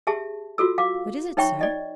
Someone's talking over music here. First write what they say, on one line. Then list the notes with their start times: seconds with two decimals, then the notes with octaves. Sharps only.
"What is it, sir?"
0.07 G4 G#4 E5 A5
0.58 F4 F#4 A4 E6
0.78 F5 D6
1.37 D#4 C#5 E5 G5 B5 C#6
1.61 D5 D#5